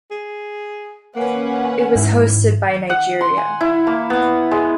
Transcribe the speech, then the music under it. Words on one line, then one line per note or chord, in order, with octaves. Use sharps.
It was hosted by Nigeria.
G#4
A#3 C#4 B4 F#5
G#2 E4
F#5
C6
G#5
E4
A#3
B3
G#3